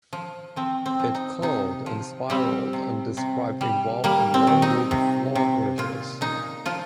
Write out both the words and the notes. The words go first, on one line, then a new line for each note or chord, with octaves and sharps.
It curled and spiraled, and described involved and long-looped flourishes.
F3
F3 C4
C4
F3
D#4
C3 D#4
F3
G3 C4
C3
C3
G3
G3 A#3
C4
D#3
D#4
C3
C3
A#2 F4
A#2 D#4
F3 F4